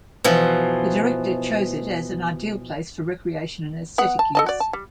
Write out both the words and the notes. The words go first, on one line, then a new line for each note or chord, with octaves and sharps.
The director chose it as an ideal place for recreation and aesthetic use.
B2 E3 F3
B3 F#5
A5
A4 D#5 A5
F#4 D5
A5
G3